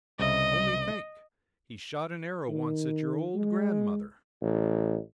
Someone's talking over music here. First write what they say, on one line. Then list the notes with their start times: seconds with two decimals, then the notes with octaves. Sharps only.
Only think, he shot an arrow once at your old grandmother!
0.19 C2 C#3 D#5 E5
2.49 D#3
3.35 G#3
4.42 A1